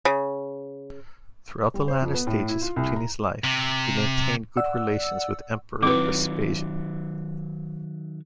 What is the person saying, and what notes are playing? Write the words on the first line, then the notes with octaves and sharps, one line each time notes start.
Throughout the latter stages of Pliny's life, he maintained good relations with Emperor Vespasian.
C#3
G3
C5
F2
B3
A2
E4
F4
C2
A#5
C3
D5 F#5 E6
D#3 F#3 C4 E4 B4 D6